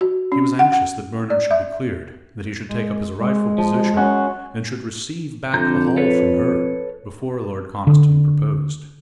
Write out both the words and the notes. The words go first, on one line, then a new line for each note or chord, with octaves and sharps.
She was anxious that Bernard should be cleared, that he should take up his rightful position, and should receive back the Hall from her, before Lord Conniston proposed.
F#4
C#4
F#5
F#5
D5
E5
G#3
G#3
F3
C#4 F#4
F2 D3 A#5 G6
A4 B4 C#5
D3